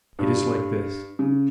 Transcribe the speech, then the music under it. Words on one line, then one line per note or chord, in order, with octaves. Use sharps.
It is like this.
G2
C#3